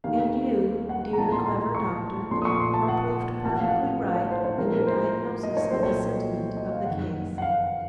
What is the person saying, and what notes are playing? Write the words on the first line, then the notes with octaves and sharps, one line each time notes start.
And you, dear, clever doctor, are proved perfectly right in your diagnosis of the sentiment of the case.
D#2 D#3 A3 F5
F#5
A#5
A#1 A2 F3 A#3 A5
A#5
C6
C6
A#5
C6
C#6
A#1 A#2 F3 A3 C6
D#6
C#6
C6
A5
F#5
A1 A2 F3 A5
F#5
F5
F#5
F5
C#5
C5
C#5
A2 F3 A#3 A#4
A#4
C5
D#5
C#5
C2 A#2 F#3 A3 C4 C5
C#5
D#5
D#5
F5
F#1 F2 D#3 F#5
F#5
F5